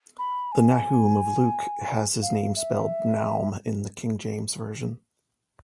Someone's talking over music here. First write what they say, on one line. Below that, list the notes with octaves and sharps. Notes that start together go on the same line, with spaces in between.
The Nahum of Luke has his name spelled Naum in the King James Version.
B5
G#5
F5
E5